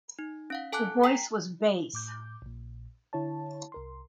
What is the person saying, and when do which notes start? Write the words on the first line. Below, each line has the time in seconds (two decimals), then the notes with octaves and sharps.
The voice was bass.
0.19 D#4
0.50 C#4 F5 F#5
0.72 A4 G#5 A5 D6 F#6
1.03 G5 G#5 A#5 B6 C7
1.93 A2 D6 G6
2.42 A#1 A#2
3.13 D3 E4 C#5 A5
3.72 C2 A#4 C6